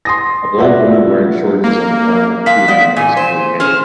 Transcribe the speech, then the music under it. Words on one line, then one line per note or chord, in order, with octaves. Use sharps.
A blond woman wearing shorts is on a farm with two animals, pulling hay.
C6 D#6 A#6
F4 F#4 B4 D5 E5 F#5
A#3
G#3 F5 B6
B3 D5 D#5
A#2 E3 G#5
C5
C#4 G#4 C5 F6